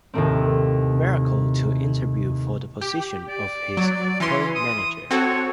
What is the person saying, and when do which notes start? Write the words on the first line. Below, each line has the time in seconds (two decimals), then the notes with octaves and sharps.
Miracle to interview for the position of his tour manager.
0.14 D#2 A2 C3 D#3 A3 C4
2.81 G4
3.29 D5
3.77 F#3
4.20 E3 C#4 C6
4.55 D#6
5.11 C4 F#4 A4 C#5